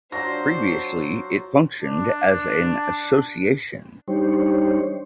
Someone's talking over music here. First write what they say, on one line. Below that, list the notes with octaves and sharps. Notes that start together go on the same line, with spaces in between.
Previously it functioned as an association.
F#3 D4 F4 C5 A#5 A#6
D4
G3 D4 D#4 G4 C5 C#5